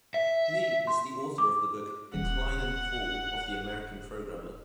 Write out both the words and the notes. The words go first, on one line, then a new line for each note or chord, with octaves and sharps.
He is the author of the book "Decline and Fall of the American Programmer".
E5
C6
D6
D#1 F#5